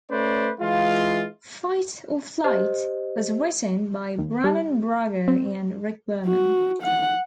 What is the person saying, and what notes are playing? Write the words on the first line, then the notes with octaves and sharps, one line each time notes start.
"Fight or Flight" was written by Brannon Braga and Rick Berman.
A3 C#4 B4 C5 D5
E3 G#3 F4
G4 C5 D#5
D#2
G3
C4
F#4
F#5